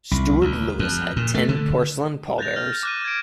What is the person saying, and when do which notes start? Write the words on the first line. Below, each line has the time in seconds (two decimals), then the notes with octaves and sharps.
Steward Lewis had ten Porcellian pallbearers.
0.11 C2
0.41 D2
0.79 F2
1.16 A#2
1.35 A3
1.49 D3
2.38 F#6 G6 A6 A#6 F7
2.56 F6
2.83 D6 F#6 D#7
3.05 G#6 D7